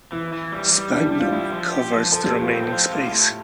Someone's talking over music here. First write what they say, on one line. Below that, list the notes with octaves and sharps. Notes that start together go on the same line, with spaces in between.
Sphagnum covers the remaining space.
E3 E4
E3
G3
G3
G3 D4
E4
G3
F4
E4
F3
G4
F3
F3 A4
G4
A2
F4
C4
F4
A2
A2